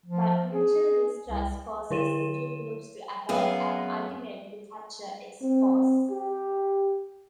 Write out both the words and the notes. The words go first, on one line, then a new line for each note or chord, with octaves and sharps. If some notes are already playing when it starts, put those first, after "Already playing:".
But mutual distrust causes the two groups to attack and ultimately capture X-Force.
F3
G#4
C2
D3 E4 C#5 D#7 E7
F#2 B3 G#4 F5
C4
G4